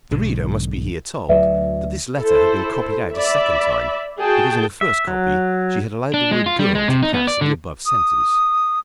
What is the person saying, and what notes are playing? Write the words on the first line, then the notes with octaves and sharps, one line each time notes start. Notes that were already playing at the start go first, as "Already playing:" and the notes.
The reader must be here told that this letter had been copied out a second time because in the first copy she had allowed the word girl to pass in the above sentence.
B1 G#2 D3
D2 F#3 B4 D5 E5
E4 A4 C5
D5 E5 B5
F#4 G#4 G5 A5
E5
F#3
D4
G#3
F4
G3
G#3
C3
D#4
B3
D5
D3
D#6